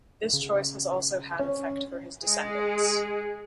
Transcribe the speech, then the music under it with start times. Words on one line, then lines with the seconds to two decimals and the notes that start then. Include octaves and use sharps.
This choice has also had effect for his descendants.
0.33 C#3
1.39 C#4 C#5
2.25 G#3 G#4